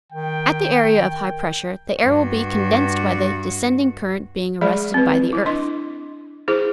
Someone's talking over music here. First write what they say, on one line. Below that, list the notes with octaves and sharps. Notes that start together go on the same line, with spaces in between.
At the area of high pressure the air will be condensed by the descending current being arrested by the earth.
D#3 G5
G2 F#4
F#3 G#3 G#4 D5 B5
C4 B4
E4
D4 D#5 C6
E4 G#4 C5